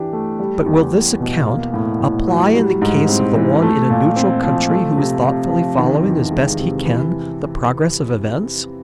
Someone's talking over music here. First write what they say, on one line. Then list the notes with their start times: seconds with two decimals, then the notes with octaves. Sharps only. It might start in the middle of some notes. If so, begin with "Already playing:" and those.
But will this account apply in the case of the one in a neutral country who is thoughtfully following as best he can the progress of events?
Already playing: E3 D4 G4
0.13 A3
0.40 G3
0.66 E2
0.94 E2
1.20 B2
1.46 A#3
1.74 A2
2.00 A2
2.27 F#3
2.55 G3
2.82 G#2
3.08 C4
3.35 E3
3.62 A3
3.90 A#2
4.16 C4
4.43 F3
4.69 A3
4.97 C3
5.24 C3
5.50 F3
5.78 D#3
6.05 E2
6.31 G#3
6.59 C3
6.85 E3